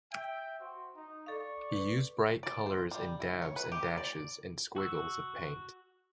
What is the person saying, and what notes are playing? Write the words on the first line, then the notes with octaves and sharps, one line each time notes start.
He used bright colours in dabs and dashes and squiggles of paint.
E5 G5
F#4 C5
D#4
A4 D5 F5 C#6
B4
D5
C5
G3
E4
C#5
B4
G4
D5
F#4 E6